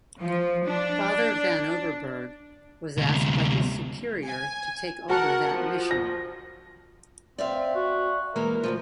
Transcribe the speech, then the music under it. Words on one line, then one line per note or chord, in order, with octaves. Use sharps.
Father Vanoverbergh was asked by his superior to take over that mission.
F3
D4
D2 C3
G#5
F#4 A#4 F#5 A5
F3
A#6
C4 D5 E5 F5
F#4
E3 G#3 A#3 A#4
D2 G#2 F3